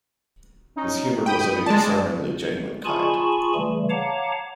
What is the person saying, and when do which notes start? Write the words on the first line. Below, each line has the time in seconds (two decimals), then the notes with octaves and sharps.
His humor was of a disarmingly genuine kind.
0.76 C#4 D#4
1.26 G5 B5 D#6 D#7
1.66 G#3 D5 A5
2.85 F4 G#4 G#5 A5 B5 C#6
3.55 C#3 E3 G3 A3
3.90 C#5 F5 F#5 A5 A#5 D6